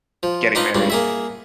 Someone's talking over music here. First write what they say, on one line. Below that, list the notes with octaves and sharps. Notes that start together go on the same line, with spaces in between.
getting married.
F3
D4 D#4 F4 B4
C#2 G2 D4
A#3 G#4 E5